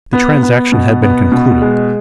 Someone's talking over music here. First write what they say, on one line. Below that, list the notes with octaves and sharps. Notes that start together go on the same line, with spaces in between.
The transaction had been concluded.
B3
B3
B2
B3
B2
G#3